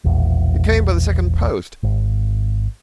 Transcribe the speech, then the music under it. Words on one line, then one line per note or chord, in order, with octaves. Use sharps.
It came by the second post.
E1 A#1 E2
G#1